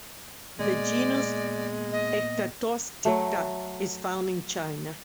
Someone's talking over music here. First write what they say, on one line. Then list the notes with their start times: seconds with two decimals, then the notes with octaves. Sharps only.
The genus "Ectatosticta" is found in China.
0.59 A#2 G#3 A#3 B3 D5
1.92 D#5
3.05 F#3 A3